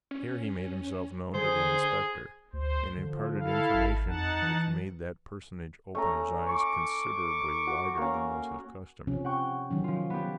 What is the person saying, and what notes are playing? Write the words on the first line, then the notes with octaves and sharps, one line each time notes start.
Here he made himself known to the inspector, and imparted information which made that personage open his eyes considerably wider than was his custom.
C#4
D3 G#4 C5
D2 C5
D3 F3
E4 A4 F5
G#1
F2 D#4 F#5 A5
E3
A3 C#4 A#5
C#6 D6
F#4
A#3 C#4
C3 F3 C#4
F#5 G5 C#6
D#3 F#3 C#4
F3 F4
B3 G4